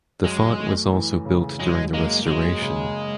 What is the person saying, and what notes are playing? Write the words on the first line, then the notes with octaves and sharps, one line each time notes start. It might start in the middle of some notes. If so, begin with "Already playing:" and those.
The font was also built during the restoration.
F#2 G#3
A3
E3
C#3
F#2 G#3
G#3 A#3
F#3 G#3
C#3